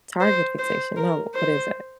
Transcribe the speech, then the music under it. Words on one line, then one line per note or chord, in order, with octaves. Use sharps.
Target fixation. No. What is that?
C5
C5
A#4
C5